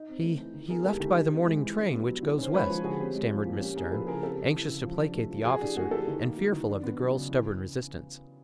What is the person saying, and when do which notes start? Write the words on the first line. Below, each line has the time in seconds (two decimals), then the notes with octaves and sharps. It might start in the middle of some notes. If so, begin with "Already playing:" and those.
"He--he left by the morning train, which goes west," stammered Miss Stearne, anxious to placate the officer and fearful of the girl's stubborn resistance.
Already playing: D#4
0.09 C4
0.23 A3
0.39 E3
0.54 D#3
0.70 B3 G#4 A#4
0.85 G#3 G4 A4
1.00 D#3 G4
1.16 D#4
1.31 C4
1.46 G#3
1.62 E3
1.78 D4
1.93 B3
2.07 F#3
2.23 D#3
2.39 C#4 C5
2.54 G#3 B4 C#5
2.70 F3
2.84 D3 F#4 G#4
3.00 C4 G4
3.15 G#3
3.31 F3
3.46 A#2
3.61 C#4 G4
3.76 A#3 G#4 A#4
3.92 F3 A4 B4
4.07 C#3 G#4 A#4
4.22 C4 G4 A4
4.38 G3
4.54 E3
4.69 C#3
4.85 F3
5.00 D4
5.15 A3
5.30 F3
5.45 E3 F#4 G#4
5.61 D4 G4
5.76 A3 F#4 G#4
5.91 E3 G4 A4
6.07 D#3
6.22 A#3
6.37 F#3
6.52 D#3
6.69 D4
6.83 B3
6.99 F#3
7.14 C#3
7.29 E3